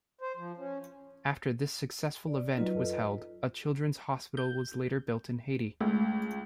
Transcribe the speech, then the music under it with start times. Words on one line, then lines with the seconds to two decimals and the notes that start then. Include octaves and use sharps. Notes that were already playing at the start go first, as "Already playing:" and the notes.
After this successful event was held, a children's hospital was later built in Haiti.
0.21 C5
0.37 F3
0.57 C#4
2.27 D5
2.58 F#3 D#4 F4 B4 D#5
2.75 F#2 A4
4.37 G6
5.81 C#2 A3